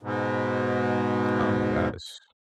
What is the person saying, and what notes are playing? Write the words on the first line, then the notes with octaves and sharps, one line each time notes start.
Oh my gosh.
G#2 B2